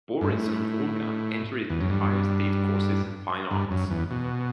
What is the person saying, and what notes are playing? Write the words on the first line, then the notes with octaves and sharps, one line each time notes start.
Boris and Olga entered the Higher State Courses in Fine Arts.
G2
A2
E2
F#2
G2
G2
F#2
E2
B2